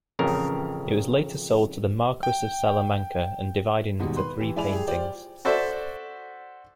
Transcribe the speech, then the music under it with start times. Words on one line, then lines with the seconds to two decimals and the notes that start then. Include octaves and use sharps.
It was later sold to the Marquis of Salamanca, and divided into three paintings.
0.19 A1 F2 C#3 A#4
2.23 G5
3.99 D#2 G#2 B2 G3
4.17 B4 C6
4.38 E3 G4
4.56 G#3 E4 D5 G#5 B5 F7
4.72 G4 G#4
4.88 F4 G4 C5 D5 G5
5.45 F#4 A4 C5 D5 E5